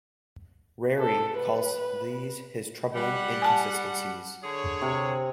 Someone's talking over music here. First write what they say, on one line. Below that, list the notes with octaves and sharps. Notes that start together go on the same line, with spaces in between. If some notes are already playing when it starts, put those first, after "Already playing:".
Rary calls these his troubling inconsistencies.
A4
B4
G3 F#5
G#5 A5
D3 G#4 C#5
C3